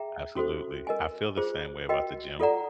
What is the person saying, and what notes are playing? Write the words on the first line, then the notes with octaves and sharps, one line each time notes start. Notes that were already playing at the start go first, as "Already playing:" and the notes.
Absolutely. I feel the same way about the gym.
Already playing: G#4 E5 G5 A#5
C#4 F#4 A4 C5
A#4 D#5 G#5
F4 G#4 C5
F#4 A#4 D#5 G5
F4 A4 D5 F#5 A#5